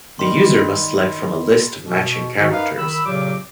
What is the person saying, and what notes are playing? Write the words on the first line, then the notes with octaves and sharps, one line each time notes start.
The user must select from a list of matching characters.
D#3 G3 B5 C6
B2
D#3 F#4
F#2 D#4 B4 F5
D#3 B5 E6
F2 A#2 C#3 F#3 G4 D6